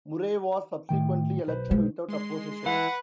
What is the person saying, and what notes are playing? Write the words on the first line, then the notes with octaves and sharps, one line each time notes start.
Murray was subsequently elected without opposition.
A2 D#3 G5
B1 B4 C5
G#3
G#3 C6 C7
E3 B4 F#5